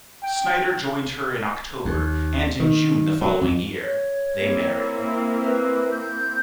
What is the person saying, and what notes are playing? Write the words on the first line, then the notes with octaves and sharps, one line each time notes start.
Snider joined her in October, and in June the following year, they married.
G5
D#2
D#3
F#3
F2
C#5
A#3 C4 E4
B4
G6